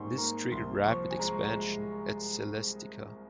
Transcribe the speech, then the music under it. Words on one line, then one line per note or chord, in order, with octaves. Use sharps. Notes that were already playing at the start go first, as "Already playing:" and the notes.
This triggered rapid expansion at Celestica.
Already playing: G#2 G3 A#3 G#5 C6 C#6
A#3 A#5
C2 C6
F3 C#6
G#5
G#3 A#5
A#5
G#3